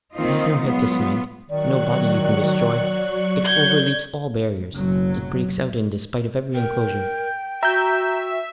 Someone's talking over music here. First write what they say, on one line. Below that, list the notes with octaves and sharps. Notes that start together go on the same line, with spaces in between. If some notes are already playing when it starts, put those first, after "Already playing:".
It has no head to smite, no body you can destroy; it overleaps all barriers; it breaks out in despite of every enclosure.
D#3 A#3 C4 D#4 F4
F#3 G#3 B3 F4
D#3 F#3 D5 C#6 F#6
G6 G#6
F#1 B2 F#3
A#4 G5
F#4 E5 A#5 G6